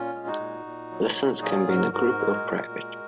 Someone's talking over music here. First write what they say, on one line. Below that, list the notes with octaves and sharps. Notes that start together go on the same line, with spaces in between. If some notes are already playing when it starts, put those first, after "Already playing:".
Lessons can be in a group or private.
Already playing: A#2 C#4 F4
G#3
D#4 F#4
A#2
A#2
F#3
A#2
F#3 F4 G#4
G#2 F#4 A#4
G#2 F#4 A#4
G#3
A#2
G#3